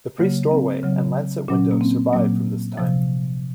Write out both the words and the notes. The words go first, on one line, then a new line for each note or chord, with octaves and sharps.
The priest's doorway and lancet windows survive from this time.
C#3 F#3 A#3
C4
C#3 F#3
A#2 F#3 C#4
A#3
C4
A#2 F#3 A#3
C3 F3